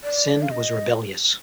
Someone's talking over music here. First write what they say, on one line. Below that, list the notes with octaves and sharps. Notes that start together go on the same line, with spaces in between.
Sindh was rebellious.
D5
F5
D#5